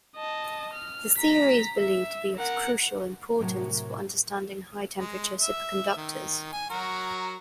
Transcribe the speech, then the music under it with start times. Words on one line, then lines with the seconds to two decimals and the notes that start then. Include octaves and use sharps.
The theory is believed to be of crucial importance for understanding high temperature superconductors.
0.16 D#5 A5
0.73 F6
1.18 A#5 B6
1.79 E5
2.37 A#4 F#5
3.40 A2 C3 F#3 A#4 F#5 A5
4.97 G#3
5.40 E5
5.97 D#3
6.53 G#5
6.70 F#3 F#4 A#4